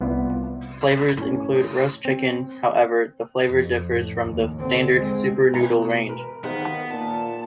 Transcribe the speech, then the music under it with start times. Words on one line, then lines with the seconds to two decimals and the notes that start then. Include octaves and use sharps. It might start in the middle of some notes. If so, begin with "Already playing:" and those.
Flavours include Roast Chicken, however, the flavour differs from the standard Super Noodle range.
0.01 C2 B3 E4 F4 D5
1.18 A2 C#4
2.05 C4
3.46 F2
3.89 A2
4.23 D#2
4.59 D3 C4
4.94 G#3 C4
5.54 B2 E3 A#5
6.09 A#4 B4
6.44 D#3 B3 G#4 C5 F5 F#5
6.91 A#2 A5